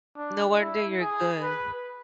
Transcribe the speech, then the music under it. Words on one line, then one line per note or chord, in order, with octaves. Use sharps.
no wonder you're good,
D4
E4
G#4
B4